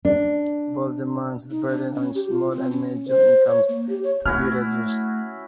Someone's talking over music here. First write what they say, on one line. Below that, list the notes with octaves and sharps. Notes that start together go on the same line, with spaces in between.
Volt demands the burden on small and medium incomes to be reduced.
D4
D#4
D4
C#4
G4
F4
C4
C#4
C5
C#5
A#3
G4
C#5
A3 C#4 E4 F#4 F6